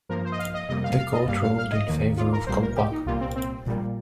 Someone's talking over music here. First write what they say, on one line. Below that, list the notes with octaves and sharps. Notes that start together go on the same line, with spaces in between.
The Court ruled in favour of Kolpak.
G2 F3 A#3 A#4
C5
D#5
F5
D#5
F2 C3 G3 A#3 D#5
F5
F5
D#5
G2 G3 A#3 F5
F5
F5
D#5
D#2 D#3 A#3
F4
A#4
C2 A#2 G3 A#3 C5
A#4
G4
D#4
C2 A#2 G3 A#3 F4
C4
C4
A#1 A#2 G3 A#3